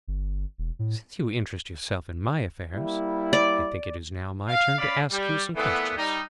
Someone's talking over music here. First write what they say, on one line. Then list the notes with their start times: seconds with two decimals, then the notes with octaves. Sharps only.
"Since you interest yourself in my affairs, I think it is now my turn to ask you some questions."
0.08 G1
0.58 E1
0.79 A2
2.73 G3 A#3 E4
3.33 D5
4.49 F5
4.78 C#4 D5 F5 B5
5.11 G3
5.56 A#2 E3 A3 B3
5.97 G3 D#4